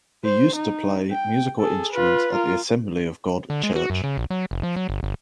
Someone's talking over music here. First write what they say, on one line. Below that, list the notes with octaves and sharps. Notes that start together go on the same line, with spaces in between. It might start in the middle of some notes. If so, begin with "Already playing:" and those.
He used to play musical instruments at the Assembly of God Church.
C5
D#4
G5
G#4 A4
F4 B4
F4 A#4
D3
G#3
F#4
F#2
C#3
A#1
F#3
F1
F3
F#3
G1
G1